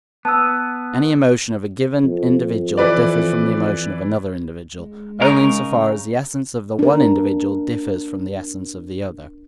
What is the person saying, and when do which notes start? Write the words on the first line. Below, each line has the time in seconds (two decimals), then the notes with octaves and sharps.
Any emotion of a given individual differs from the emotion of another individual, only in so far as the essence of the one individual differs from the essence of the other.
0.25 B3 A5 E6
2.05 F2
2.77 E3 B4 D5
4.78 G#3
5.21 C#3 D#4 A#4
6.79 D4 A#4